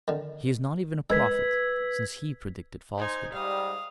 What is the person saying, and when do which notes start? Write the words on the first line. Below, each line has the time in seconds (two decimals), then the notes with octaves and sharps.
He is not even a prophet, since He predicted falsehood.
0.08 D3 D#3
1.10 G#3 A#4 B4 E6 G#6 B6
2.97 D#4 C5 G#5
3.33 G#2 G3 F5 D#6